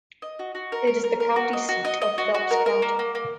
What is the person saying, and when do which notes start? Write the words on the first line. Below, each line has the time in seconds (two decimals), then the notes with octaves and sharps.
It is the county seat of Phelps County.
0.22 D#5
0.39 F#4
0.55 F#4
0.72 A#4
0.87 A#4
1.04 A#4
1.20 A#4
1.36 F#4
1.53 D#5
1.69 F#4
1.85 D#5
2.02 D#5
2.18 F#4
2.34 F#4
2.51 A#4
2.66 A#4
2.82 A#3
2.99 A#3
3.15 A#3